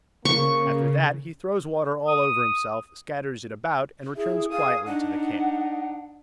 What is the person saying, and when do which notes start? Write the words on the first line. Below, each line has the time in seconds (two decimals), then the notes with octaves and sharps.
After that he throws water all over himself, scatters it about, and returns quietly to the camp.
0.25 C#3 A#3 C#6
2.08 D#6
4.17 E4 G#4
4.51 G#4 F5 D#6
4.86 D4 D#4 F#5